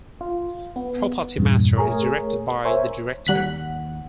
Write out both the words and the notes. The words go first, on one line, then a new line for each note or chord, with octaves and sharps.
Property master is directed by the director.
F4
B3
E2 G2 A#2
A3 G#4 A#4 C#5
A#4 C5 C#5 E5 G#5
D#2 G3 F#5 F#6 B6